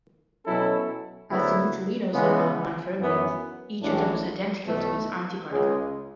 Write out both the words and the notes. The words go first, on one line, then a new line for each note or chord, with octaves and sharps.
As the neutralinos are Majorana fermions, each of them is identical to its antiparticle.
B2 F#3 C#4 E4 A4
D2 C#3 F#3 B3 E4
C#3 E3 G#3 B3
F#2 E3 B3
A1 A2 G#3 D4
B1 B2 A3
C#2 C#3 G#3